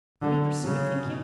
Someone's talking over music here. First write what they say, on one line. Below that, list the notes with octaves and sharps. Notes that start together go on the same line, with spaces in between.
Are we pursued, think you?
D3 F#3
C#3 F#3
B2